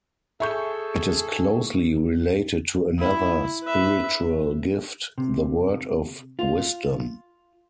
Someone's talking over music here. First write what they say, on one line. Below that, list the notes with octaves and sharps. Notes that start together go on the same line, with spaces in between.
It is closely related to another spiritual gift, the word of wisdom.
G#4 A4 E5 C#6 G6
E4
B4 E5
C3
F4